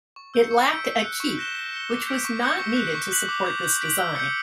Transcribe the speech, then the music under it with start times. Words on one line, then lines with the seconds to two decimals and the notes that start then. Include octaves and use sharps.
It lacked a keep, which was not needed to support this design.
0.16 C#6
0.34 E6 G6 C#7
0.51 C#6
0.68 E6 G6 B6 D7
0.85 C#6
1.03 F#6 C#7
1.20 C#6
1.38 F#6 A#6 E7 G7
1.55 A#6
1.73 C#7 G7
1.90 D6
2.07 G6 B6 D7
2.25 C#6
2.42 E6 G6 A#6 C#7
2.59 C#6
2.76 F#6 B6
2.95 C#6
3.12 F#6 B6 F#7
3.29 D6
3.46 G6 B6
3.64 G6
3.81 B6 D7 F#7
3.98 E6
4.16 G6 C#7